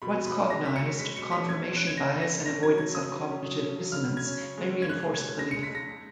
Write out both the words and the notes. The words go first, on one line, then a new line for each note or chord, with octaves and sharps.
Once cognized, confirmation bias and avoidance of cognitive dissonance may reinforce the belief.
B2 B5
B2
B5
B2
G#3 A#6
C#4 B6
C#7
C#4
G#3 B6
B2 C#7
C#4 B6
C#4 G#6
C#4
F#6
C#4
G#6
C#4 A#6
C#3
A#6
C#3
C#4 A#6
F#3 G#6
F#3 G#6
C#3 D#6
C#3
C#4
F#3
C#4
F#3
C#3 F6
C#3
G#6
C#4
C#3
G#3
C#4
G#6
C#3 F#6
G#3
G#6
G#3
G#3 A#6
G#3 C#7
B6
G#3 A#6
G#3